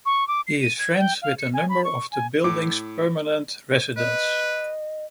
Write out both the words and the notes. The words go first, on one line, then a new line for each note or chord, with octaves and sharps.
He is friends with a number of the building's permanent residents.
C#6
D6
C7
D#7
G#6
G5
F5
C#7
G#5
B5
C#6
G#5
A2 D6
B4 D#5